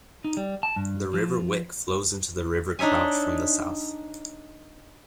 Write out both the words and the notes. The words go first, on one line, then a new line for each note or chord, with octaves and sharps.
The River Wick flows into the River Crouch from the south.
D#4
G3
A5
G2
F3
D4 D#4 C#5 E5 G#5